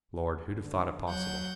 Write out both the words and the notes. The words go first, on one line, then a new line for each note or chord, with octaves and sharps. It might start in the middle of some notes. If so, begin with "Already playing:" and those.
"Lord--who'd have thought it possible!"
D3
F#3 F#5 G6